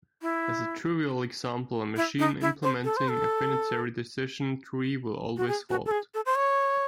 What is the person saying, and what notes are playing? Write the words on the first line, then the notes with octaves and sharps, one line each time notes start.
As a trivial example, a machine implementing a finitary decision tree will always halt.
E4
E4
D#4
E4
C5
A4
C5
A4
F#4
G#4
F#4
A4
G#4
A4
C5
C#5